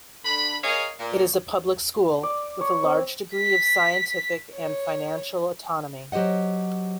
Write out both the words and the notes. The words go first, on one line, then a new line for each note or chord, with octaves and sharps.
It is a public school with a large degree of scientific and financial autonomy.
D3 B5
G#4 A#4 C#5 D#5 F5
A#2
D5
C#5
C4
B6
C#5
F#3 G4 C5 D#5 F#5